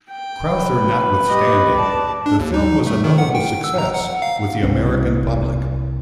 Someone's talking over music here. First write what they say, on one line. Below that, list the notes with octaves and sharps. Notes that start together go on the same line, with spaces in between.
Crowther notwithstanding, the film was a notable success with the American public.
G5
B4
G4 D#5
D5 A5
D4
D#2
D#4
A3
D#3
F#5
G5
E6
A#5
F#5
F5
C2 C4